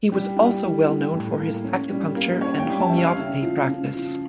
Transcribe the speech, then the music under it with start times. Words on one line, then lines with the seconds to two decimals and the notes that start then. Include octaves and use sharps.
He was also well known for his acupuncture and homeopathy practice.
0.12 G3 G4
0.37 G3
0.63 E3
0.88 G3
1.13 A2
1.38 A#3
1.64 C#4
1.89 G3
2.16 A#3
2.41 C#4 C#5
2.59 G5
2.66 G3
2.80 A5
2.89 C#4 E5
2.98 F5
3.17 C#3
3.42 F3
3.68 C#3
3.94 F3